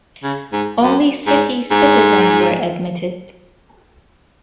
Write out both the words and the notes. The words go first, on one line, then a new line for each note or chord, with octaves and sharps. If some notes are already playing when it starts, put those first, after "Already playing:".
Only city citizens were admitted.
C#3
G#2
F#2
G#2
G#2